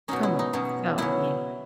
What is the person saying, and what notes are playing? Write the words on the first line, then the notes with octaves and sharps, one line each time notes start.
come on, so, yeah.
B2 F#3 C#4 D#4
E4
D#4
B2 F#3 C#4
B2 F#3 C#4 E4